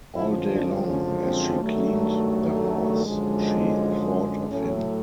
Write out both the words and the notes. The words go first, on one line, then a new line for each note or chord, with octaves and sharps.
All day long, as she cleaned the house, she thought of him.
F#2 D3 F3 G#3 E4
D4
C#4
C4
G2 D#3 F#3 A3
F#2 D3 F3 G#3
A2 F#3 A3 C#4